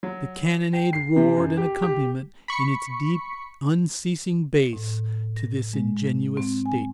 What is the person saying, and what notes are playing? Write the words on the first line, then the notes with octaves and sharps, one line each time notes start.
The cannonade roared an accompaniment in its deep, unceasing bass to this ingenuous statement.
F#3
G5
C7
C3
F#2
G4
G4
B5 C#6 B6 C#7
A2
A#6
G#3
C4
G#5